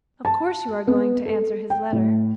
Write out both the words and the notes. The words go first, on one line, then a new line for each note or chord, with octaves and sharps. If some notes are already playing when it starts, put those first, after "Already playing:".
Of course you are going to answer his letter.
A5
B3
A4
G5
A2